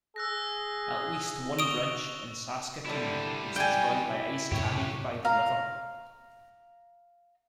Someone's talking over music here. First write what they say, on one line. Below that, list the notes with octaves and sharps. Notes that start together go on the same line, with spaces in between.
At least one bridge in Saskatoon was destroyed by ice carried by the river.
G#4 E6 F#6 A#6
C#6 D#6 D7 F7 G7
D3 G3 E4
D5 G5 G#5
E4
F#2 A2 C3 G4 C#5
F5 A#5